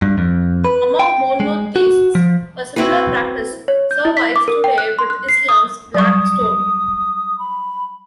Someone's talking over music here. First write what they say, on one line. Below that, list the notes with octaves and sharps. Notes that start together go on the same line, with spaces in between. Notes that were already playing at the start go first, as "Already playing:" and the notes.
Among monotheists, a similar practice survives today with Islam's Black Stone.
G2
F2
B4
G5
G#3
F#4
F3
C4 E4 F#4 B4
C#5
G6
E4
B6
D6
A#4
G5
F#6
C6
F#6
C7
D#6
F#3 G3 C#6 D#6
B5